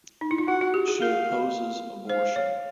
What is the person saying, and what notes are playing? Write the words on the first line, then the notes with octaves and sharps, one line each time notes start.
She opposes abortion.
D#4
E4
F4
F#4 F#5
F#4
G4
G#4
A#4 F5
C5 F5
C#5